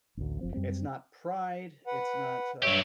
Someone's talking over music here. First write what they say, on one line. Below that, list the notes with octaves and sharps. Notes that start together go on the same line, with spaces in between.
it's not pride, it's not, uh
A1 D2
F#1 F3 C4
F#2 G3 C4
B4 F#5
G2 F#3 G4 C#5 E5